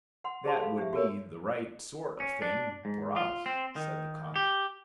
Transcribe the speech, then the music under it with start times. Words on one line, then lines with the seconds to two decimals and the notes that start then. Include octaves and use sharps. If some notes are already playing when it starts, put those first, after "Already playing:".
"That would be the right sort of thing for us," said the cock.
0.24 F#5 C6
0.44 G4 G#4 C5 A5 C6
0.60 A4 F5 B5
0.77 D4 G4 E5
0.92 F#4 G4 A4 A#4 C#5
2.20 C#4
2.42 D4
2.85 G#2
3.16 F4
3.46 C4
3.76 D#3
4.36 G4